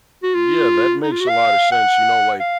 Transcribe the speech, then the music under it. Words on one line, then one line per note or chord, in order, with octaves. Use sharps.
Yeah, that makes a lot of sense. You know, like,
F#4
F4
D#4
F4
F#4
F5
F#5
F5